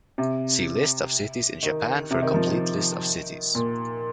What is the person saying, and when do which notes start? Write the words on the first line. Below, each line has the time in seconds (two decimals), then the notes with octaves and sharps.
See List of cities in Japan for a complete list of cities.
0.18 C3
1.63 D#3
2.11 C3
2.22 D#3
2.34 F3
2.47 D#3
3.55 A#2